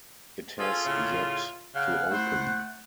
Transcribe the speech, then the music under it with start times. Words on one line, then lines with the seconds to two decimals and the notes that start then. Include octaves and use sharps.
It has yet to open.
0.59 C#4 F4 G#4 A4 C5
0.85 A2 C#3 E5
1.75 C#3 F5 F#5
2.11 A3 E4 C5